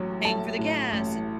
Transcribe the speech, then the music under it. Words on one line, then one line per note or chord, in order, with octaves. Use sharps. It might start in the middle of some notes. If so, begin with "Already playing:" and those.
p paying for the gas, and
Already playing: A1 A2 F#3
A3 A5
A2
A1